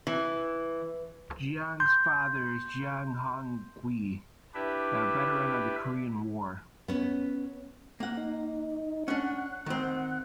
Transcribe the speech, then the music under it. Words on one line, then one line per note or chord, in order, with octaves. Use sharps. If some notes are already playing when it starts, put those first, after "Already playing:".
Jiang's father is Jiang Hongqi, a veteran of the Korean War.
E3
C6 G6
D4 E4 G4 B4 E5
B3 C#4
A#3 F#5
D#4
C#4 D4 F#5
D#3 C4